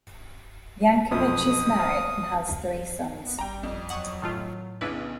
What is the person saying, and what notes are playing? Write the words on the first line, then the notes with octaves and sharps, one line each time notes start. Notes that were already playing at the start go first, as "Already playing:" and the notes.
Yankevich is married and has three sons.
B1 F2 B2 D#6
C5 F5
B3
G#1 G3 G5 A#5
F2
E2 F#3 F#5 C#6 D#6
A2 D#3 A3 F4
B1 C#3 B3 D4 E4 B4